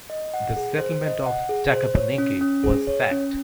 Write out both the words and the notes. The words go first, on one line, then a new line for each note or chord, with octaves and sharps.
The settlement of Takapuneke was sacked.
D#5
F#5
G#4
C5
D#5
F#5
G#4
C5
C#5
C#4
C#4
G#4
C#5
C#4